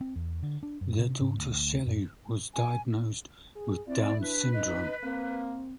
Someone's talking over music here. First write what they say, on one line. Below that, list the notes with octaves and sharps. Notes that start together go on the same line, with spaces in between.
Their daughter, Shelley, was diagnosed with Down syndrome.
C4
E2
D3
D4
F#2
C3
G#2
D2
F#2
G#5
G#4
C4 E4 D5
D4 B4
D#4 D#5
A#3 C4